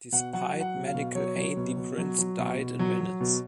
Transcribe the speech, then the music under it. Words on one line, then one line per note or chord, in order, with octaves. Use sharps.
Despite medical aid, the prince died in minutes.
B2 F#5
F#3 F#5
F#3
F#5
B2
F5
B2
F#3 C#5
F#3
B2
B2
F#3
F#3
B2
B2
F#3
F#3
B2